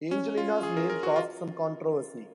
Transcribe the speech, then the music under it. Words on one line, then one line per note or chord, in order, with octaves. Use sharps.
Angelina's name caused some controversy.
C#4
F4
G#4
A#4
A#4
F#4
F4